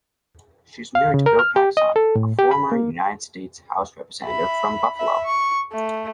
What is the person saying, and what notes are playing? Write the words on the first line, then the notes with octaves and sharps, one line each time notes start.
She is married to Bill Paxon, a former United States House Representative from Buffalo.
F5
C#3
A#4
F6
G4
D#5
A4
A2
G4
B5
A#3
E5 B5
E5 B5
C#6
A3